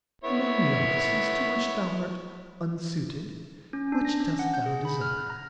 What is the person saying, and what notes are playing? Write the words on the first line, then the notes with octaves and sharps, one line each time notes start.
"Among the offices to which thou art unsuited, which dost thou desire?"
B3 E4 C#5
C#4
D4
A#6
C#4
F#5
G6
G#4
B5
F6
F#6
A#5